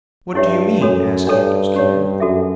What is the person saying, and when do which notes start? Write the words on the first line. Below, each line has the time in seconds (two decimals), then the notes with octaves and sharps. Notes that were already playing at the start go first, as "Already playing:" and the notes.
"What do you mean?" asked Kantos Kan.
0.34 G2 C#4 E4 G4 C#5 E5
0.80 F#2 D4 F#4 A4 C#5
1.27 G2 D4 A4 C#5
1.74 C#4 G4 C#5
2.20 F#2 F#4 A4 E5